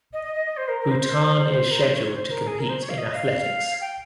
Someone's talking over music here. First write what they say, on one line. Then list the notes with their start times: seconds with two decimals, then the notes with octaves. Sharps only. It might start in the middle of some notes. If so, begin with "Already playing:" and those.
Bhutan is scheduled to compete in athletics.
0.13 D#5
0.24 D#5
0.34 D#5
0.46 D#5
0.57 C5
0.68 A#4
0.80 A#4
0.90 C5
1.01 C5
1.71 A#4
1.79 C5
1.96 C#5
2.08 C#5
2.14 C5
2.30 A#4
2.47 G#4
2.58 A#4
2.69 C5
2.81 C#5
2.89 F5
2.97 D#5
3.13 F5
3.81 G5